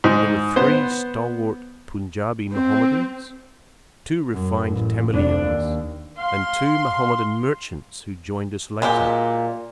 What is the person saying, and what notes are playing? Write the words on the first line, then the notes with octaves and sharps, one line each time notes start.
There were three stalwart Punjabi Mahomedans, two refined Tamilians and two Mahomedan merchants who joined us later.
G#2
B3 C5
C4
F#2
A1
F1 D4
D#2
F5 C6
A#2 F#3 G#3 G4